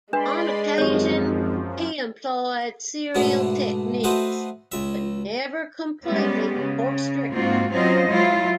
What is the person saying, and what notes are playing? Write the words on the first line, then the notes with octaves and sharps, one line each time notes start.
On occasion he employed serial techniques, but never completely or strictly.
G#3 D4 B4 D5 B5 C6
G#1 F#2 F3 G4 C#5
G#2 B2 A3 B3 D4
A3 F#4 B4 C5 D#5
C#2 E5
G3 G#3 B3 C#4 G4
C#3
G#2 A#3 C4 F4 F#4
F#3 C4 C#4 F4 C5 D#5
F#3 G#3 E4 F4